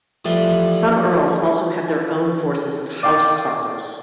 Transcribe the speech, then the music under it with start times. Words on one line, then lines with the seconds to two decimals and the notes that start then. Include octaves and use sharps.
Some earls also had their own forces of housecarls.
0.25 E3 F3 G3 A3 B4 D5
3.03 D5 F5 G5